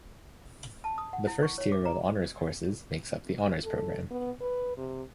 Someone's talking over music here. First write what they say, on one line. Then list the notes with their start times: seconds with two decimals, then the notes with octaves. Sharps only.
The first tier of Honors courses makes up the Honors Program.
0.84 A5
0.98 D#6
1.13 F#5
1.27 E4
1.43 C#6
1.58 C#5
1.72 D6
1.85 A#5
3.64 A4
4.11 B3
4.41 B4
4.77 C3